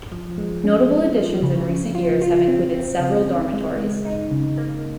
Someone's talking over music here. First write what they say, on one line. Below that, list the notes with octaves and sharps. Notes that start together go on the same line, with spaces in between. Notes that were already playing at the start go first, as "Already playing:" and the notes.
Notable additions in recent years have included several dormitories.
F3
G#3
C#4
F3
F3
C#3
C#3
F4
F4
C4
C4
C#3
C#3
G#3
G#3
D#4
C#3
A#3